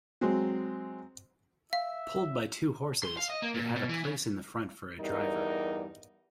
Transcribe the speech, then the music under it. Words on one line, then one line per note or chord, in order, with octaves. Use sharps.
Pulled by two horses, it had a place in the front for a driver.
F#3 G#3 C4
E5 F5
C6
F5
D#5
A#3
A#2
B2
E3
C#3
E2 G2 G3 D#4 A#4